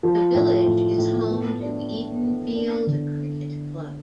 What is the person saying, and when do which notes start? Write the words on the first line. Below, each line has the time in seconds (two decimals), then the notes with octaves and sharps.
The village is home to Edenfield Cricket Club.
0.03 F3
0.34 A2
0.66 A2
0.98 A2
1.29 B3
1.60 D4
1.92 D4
2.24 B3
2.55 D4
2.87 D3